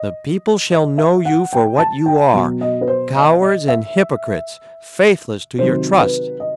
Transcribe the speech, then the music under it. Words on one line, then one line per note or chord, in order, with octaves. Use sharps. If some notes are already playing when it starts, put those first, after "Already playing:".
The people shall know you for what you are--cowards and hypocrites, faithless to your trust!
Already playing: D#5
D#5
E5
F#5
G5
A5
G5
B2 F#3
D#5
B4
C5
D#5
D#5
E5
C3 D#3 F#3 C5
B4
D#5